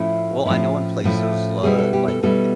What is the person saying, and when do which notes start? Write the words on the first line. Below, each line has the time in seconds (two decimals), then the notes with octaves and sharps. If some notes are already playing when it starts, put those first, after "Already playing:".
Well, I know in places, uh, like d
Already playing: A2 F3 A3 C#4 E4
0.45 A2 F3 A3 C#4 E4
1.04 A2 F3 A3 C#4 E4
1.63 B2 G3 B3 E4 G#4
1.78 A4
1.93 G4
2.08 A4
2.23 B2 G3 B3 E4 A4